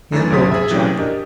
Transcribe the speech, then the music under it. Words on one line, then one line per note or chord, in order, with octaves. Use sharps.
He unrolled the jacket.
F#2 E3 A3 C#4 A6
D2 A#2 F#3 C#4 D#6 B6
G#4 E5
C3 E3 F#3 A3 C4 C#4
D4 G4 A#4 D#5